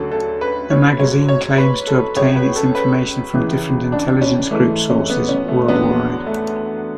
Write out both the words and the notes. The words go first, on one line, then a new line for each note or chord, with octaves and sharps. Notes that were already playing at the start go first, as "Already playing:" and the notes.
The magazine claims to obtain its information from different intelligence group sources worldwide.
Already playing: D2 C#3 F#3 A4
A4
B4
C#5
G#2 F#3 C#5
C#5
B4
A4
C#2 C#3 F#3 C#5
B4
A4
B4
C#2 C#3 E3
D4
C#4
G#2 E3 A3
C#4
B3
C#4
A3
E2 D3 F#3 B3
A3